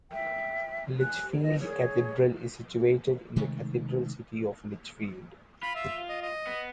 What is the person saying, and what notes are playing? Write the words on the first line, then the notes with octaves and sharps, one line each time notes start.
Lichfield Cathedral is situated in the cathedral city of Lichfield.
E5 G5
G#5 F#6
D#5
G#4 C#5
C3 D#3 G#3 A3
F4 B5
E5
D#5
D#5
B3